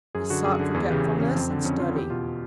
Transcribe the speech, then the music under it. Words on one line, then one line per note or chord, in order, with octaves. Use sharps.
He sought forgetfulness in study.
F#2 G#4
D3 F#4
F#2 G#4
D3
E2 G#4
C#3 E3 G4
E2
C#3 E3 C#4
F2 C4
D3
F2 C#4
D3 F4
E2 G4
B2 F4